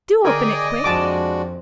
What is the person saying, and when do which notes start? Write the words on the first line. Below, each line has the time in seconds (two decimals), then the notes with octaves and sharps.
Do open it quick.
0.25 D3 G#4 A#4 D5 D#5 G5 G#5
0.84 F2 G#3 D4 F#4 A5 D6